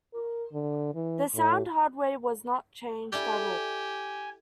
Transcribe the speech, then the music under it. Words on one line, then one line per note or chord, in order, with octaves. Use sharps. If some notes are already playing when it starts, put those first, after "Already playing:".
The sound hardware was not changed at all.
A#4
D3
E3
A2
E4 G4 A4 D5 G#5